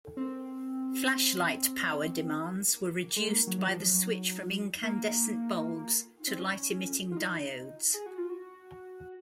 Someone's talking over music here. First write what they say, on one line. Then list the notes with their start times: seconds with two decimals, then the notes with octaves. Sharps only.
Flashlight power demands were reduced by the switch from incandescent bulbs to light-emitting diodes.
0.17 C4
3.16 G#3
3.28 A#3
3.47 F#3
3.58 F#3
3.67 F3
3.80 F3
3.86 F#3
4.83 A#3
6.27 C4
6.39 C#4
7.12 F4
7.17 D#4
7.94 G#4
8.06 F#4
8.18 F4
8.30 F#4